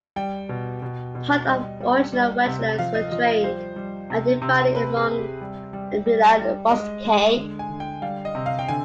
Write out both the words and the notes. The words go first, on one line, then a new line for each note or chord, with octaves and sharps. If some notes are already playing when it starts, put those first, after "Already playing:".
Part of the original wetlands were drained and divided among "villae rusticae".
G3 G5
B2
B2
B2
G3 D#5
G3
G3
C3
F3 F5
D#5
F3 D#5
G3 C5
G3
C3
C3
C3 B4
G#4
C3
G4
G3
G3
G3
G3
G#3 D#5
G#3
D3
G#5
D3
G5
G3 F5
D#5
C3
F5
G5
D3 G#5